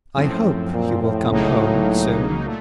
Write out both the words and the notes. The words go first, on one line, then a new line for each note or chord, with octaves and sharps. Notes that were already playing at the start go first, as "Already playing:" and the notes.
I hope you will come home soon.
F#2 A2 F3 C4
A#2
A2
C#2 A2 C#3 F#3 A#3 D#4
A#2 A3